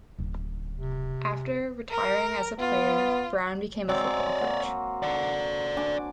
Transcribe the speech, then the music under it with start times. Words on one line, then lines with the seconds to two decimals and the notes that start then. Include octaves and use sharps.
After retiring as a player, Brown became a football coach.
0.19 D1 C#3
0.77 C3
1.91 A#4
2.60 B3 F4
3.89 F#3 G#3 C4 C#5 D5
4.41 A#3 F#4
5.03 D5 F#5
5.77 D4 G#5 D6